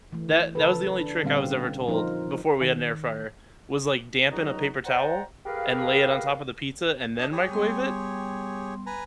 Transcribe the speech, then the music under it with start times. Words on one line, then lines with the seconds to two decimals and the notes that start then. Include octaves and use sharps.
That that was the only trick I was ever told before we had an air fryer, was, like, dampen a paper towel, and lay it on top of the pizza, and then microwave it,
0.12 E3 A3
0.55 C#3 A4 B4
1.00 D4
1.23 A#2 D3 G3 C4 C#4 F5
1.87 F3 D#4 F4 A#4 C5
2.61 D#3
4.31 C#2 F#3 D#4 F#4 D#5 A#5
4.85 C5 D5 F#5 G5 A#5
5.46 G4 G#4 A#4 B4 F5
7.19 D4 D#5
7.32 G4 G#4 C#5
7.49 G3 B3 C6
8.86 B4 G#5 A#5